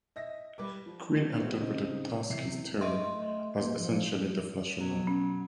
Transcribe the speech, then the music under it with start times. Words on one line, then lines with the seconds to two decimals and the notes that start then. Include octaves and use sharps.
Quine interpreted Tarski's theory as essentially deflationary.
0.16 D#5 E5 A#6
0.58 G3 B4 D6
0.86 F3
1.34 E3 G#3 A3 B3 C4 F#4
1.60 C#3 C4 D#4
2.29 E2 C3 C7
2.81 D#5 E5 C6
3.04 A3
3.58 A#3
3.76 F3
4.77 B2 F#3
5.07 C#4